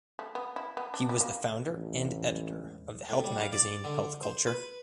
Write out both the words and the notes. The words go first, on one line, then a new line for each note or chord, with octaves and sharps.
He was the founder and editor of the health magazine "Health Culture".
A3
B3
E4
B3
D4
G3
A#3
A1
A2
G3
F5
D5
D3
C5
B4